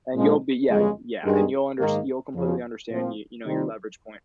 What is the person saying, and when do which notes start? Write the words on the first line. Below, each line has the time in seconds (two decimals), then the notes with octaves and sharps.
And you'll be yeah, yeah, and you'll unders you'll completely understand, you you know, your leverage point.
0.14 A#1 A#2 F3 G#3 D#4
0.69 G1 F2 C#3 G#3
1.24 G2 D#3 G#3
1.79 G#2 D#3 A#3
2.34 F2 C#3 F3
2.89 A#2 F3 C4
3.45 C3 D#3 G3 C4 D#4